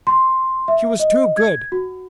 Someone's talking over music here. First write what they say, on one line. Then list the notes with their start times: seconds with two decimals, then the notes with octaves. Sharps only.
She was too good!
0.07 C6
0.68 E5
0.99 D#5
1.37 G#6
1.72 F#4